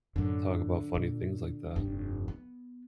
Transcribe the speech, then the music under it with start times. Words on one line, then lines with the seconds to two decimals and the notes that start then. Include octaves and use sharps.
talk about funny things like that.
0.16 F#2 A2 D3
0.95 A#2
1.76 F1 G2
2.28 B3